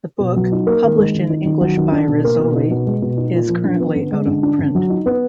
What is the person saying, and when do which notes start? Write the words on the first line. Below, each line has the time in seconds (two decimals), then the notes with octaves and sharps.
The book, published in English by Rizzoli, is currently out of print.
0.20 B2
0.36 F#3
0.52 D#4
0.67 A#3
0.84 D#3
0.98 G#3
1.14 D#3
1.30 D#4
1.45 D#3
1.61 F#3
1.77 D#3
1.92 D4
2.08 B2
2.24 A#3
2.39 B2
2.55 D#4
2.71 B2
2.87 G#3
3.02 B2
3.17 D#4
3.34 A#2
3.48 F3
3.65 D4
3.80 B3
3.96 D3
4.12 G#3
4.27 D3
4.43 D4
4.59 D3
4.75 F#3
4.90 D#4
5.06 B3